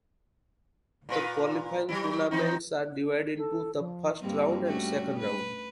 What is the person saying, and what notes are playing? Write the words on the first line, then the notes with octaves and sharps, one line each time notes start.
The qualifying tournaments are divided into the First round and Second round.
A#2 F4 B4
F#3 G3 E4
E3 C4 D#4
A4
F3
G2 G3 A#3 C4
A3 C#4 F#4
B4